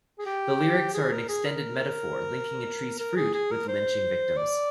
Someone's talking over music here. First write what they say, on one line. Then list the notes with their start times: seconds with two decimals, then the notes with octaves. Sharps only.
The lyrics are an extended metaphor linking a tree's fruit with lynching victims.
0.19 G#4
0.26 G4
0.94 G#4
1.12 A#4
1.29 G#4
1.45 A#4
2.99 A#4
3.16 G#4
3.34 G#4
3.51 A#4
3.68 C5
4.37 D5